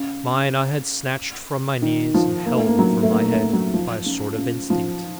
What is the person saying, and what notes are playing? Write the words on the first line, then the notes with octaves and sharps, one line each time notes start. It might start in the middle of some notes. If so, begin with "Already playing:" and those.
Mine I had snatched from my knees and held over my head, by a sort of instinct.
Already playing: C#3
D#3
F3
A#3
A3
A#3
F#3
A3
A#3
A#3
A3
F#3
F3
C#3
C#3
F3